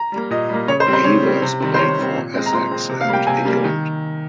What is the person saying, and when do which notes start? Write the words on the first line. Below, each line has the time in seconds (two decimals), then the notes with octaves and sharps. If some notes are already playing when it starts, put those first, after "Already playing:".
Havers played for Essex and England.
Already playing: A#5
0.12 G3 A#3
0.30 A#2 D#5
0.49 G3 A#3
0.67 C#3 C#5
0.80 C5
0.86 G3 C4
0.93 C5
1.04 C#3 C#5
1.23 G3 C4
1.42 C3
1.60 D#3 G3 C4
1.74 C5
1.79 C3 C#5
1.98 D#3 G3 C4
2.16 A#2
2.34 G#3 C4
2.46 A#5
2.53 A#2 C6
2.71 G#3 C4
2.89 C3
3.01 F5
3.08 G3 A#3 G5
3.27 C3 G#5
3.45 G3 A#3
3.64 D#3